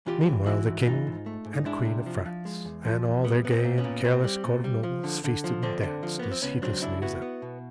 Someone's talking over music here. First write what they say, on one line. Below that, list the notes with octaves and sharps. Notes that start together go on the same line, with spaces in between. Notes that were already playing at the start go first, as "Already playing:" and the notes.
Meanwhile the king and queen of France and all their gay and careless court of nobles feasted and danced as heedlessly as ever.
E3 F4 G4
E3
E3 E4 F#4
G#2
E3 D#4 F4
G#2
A3
G#2
D#4
G#3 D4 E4
C3
F3
F3
G#3
E2
F3
E2
G3 B3
B3
C4
A#2
B3 C#4
A#2
A#2 C4
G3
A#2
G3
F3
D3
D3
F3
D3 C4 D4
D3
F3
A#3 B3
C4
C#2 B3 C#4
F#3 C4 D4
C#2 D4 E4
B3 E4 F#4
B3
B2